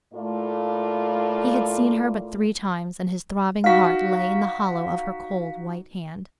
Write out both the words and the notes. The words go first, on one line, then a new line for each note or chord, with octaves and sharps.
He had seen her but three times--and his throbbing heart lay in the hollow of her cold white hand.
A2 A3 A#3 F4 D5
D#4 F#4 F5 B6